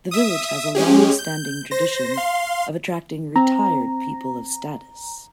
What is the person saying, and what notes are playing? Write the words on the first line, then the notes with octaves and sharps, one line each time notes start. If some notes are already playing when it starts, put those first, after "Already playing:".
The village has a long-standing tradition of attracting "retired people of status".
E5 D#6
G#3 C#4 G4 G#4
G6
C5 A#6
F5 C6
C4 A#5